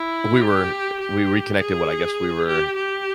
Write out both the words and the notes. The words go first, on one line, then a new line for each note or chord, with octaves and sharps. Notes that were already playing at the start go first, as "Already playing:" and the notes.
we were we reconnected what I guess we were
Already playing: E4
G4
G4
G#4
G4
G4